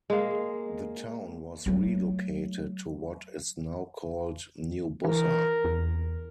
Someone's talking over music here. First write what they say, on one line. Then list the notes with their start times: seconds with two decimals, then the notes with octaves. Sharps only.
The town was re-located to what is now called New Bussa.
0.10 G#3 A#3
1.66 F#3 A3
5.05 E3 A#4
5.65 E2